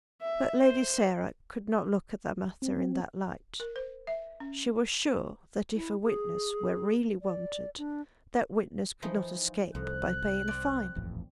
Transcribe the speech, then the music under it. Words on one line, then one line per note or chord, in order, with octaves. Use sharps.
But Lady Sarah could not look at the matter in that light. She was sure that if a witness were really wanted, that witness could not escape by paying a fine.
E5
C5
C4
A#4
C5
E5
C#4
E4
G#4
D5
D4
E3 F3 D#4
C2 F2 F#6
C4 D5
D#1 A1 F2